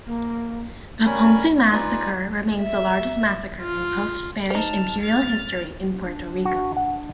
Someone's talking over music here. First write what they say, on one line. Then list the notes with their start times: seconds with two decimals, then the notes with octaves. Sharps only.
The Ponce massacre remains the largest massacre in post-Spanish imperial history in Puerto Rico.
0.06 A#3
1.06 G3 C#4 A#4 C#5 G#5 B5
1.72 D#4 F4 B4 D5 G#5
2.61 E5
3.62 F4
4.50 D#4 C5 A5 F6
5.03 F6 A6
6.04 D4
6.45 F#4
6.77 F#5